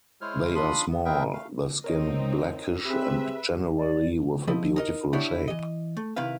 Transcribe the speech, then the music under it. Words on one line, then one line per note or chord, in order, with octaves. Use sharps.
They are small, the skin blackish and generally with a beautiful shape.
G#3 E4 C5 C#5 F6
D4 F4 B5 C6 D#6
B3
C4 G#4 A#4 B4 E5 G5
A3 F5
C4 D#4 A#4 C#5 D#5
C4 G4 G#4 B4 E5
D5
F3 C4 E4 D#5
D#4 A#4 D#5
B3 D4 E4 G4 C#5 D5
E3 D#5
A3
C3 D#3 E4 B4 F5